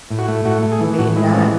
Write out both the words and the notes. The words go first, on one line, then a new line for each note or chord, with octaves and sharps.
ma not
A2
F#4
A3
A2 F#4
A3
G#4
E3
A2 F#4
G#3 E4
E3 C#4